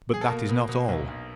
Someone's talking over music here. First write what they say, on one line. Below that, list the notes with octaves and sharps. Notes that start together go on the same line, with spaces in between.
But that is not all.
G#4
A4
B2 A#3 A#4
B2
B2
B1
B1